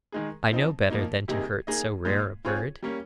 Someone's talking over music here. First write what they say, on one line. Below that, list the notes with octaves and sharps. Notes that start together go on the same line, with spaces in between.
I know better than to hurt so rare a bird.
D#3 G#3 D#4 G#4
F3 C4 D#4
A#2 F3 A#3 D#4
C3 G3 A#3 D#4 G#4
A#3 D#4 G#4 D#5
A#2 G#3 D#4
C4 F4 G#4 C#5
G3 A#3 C#4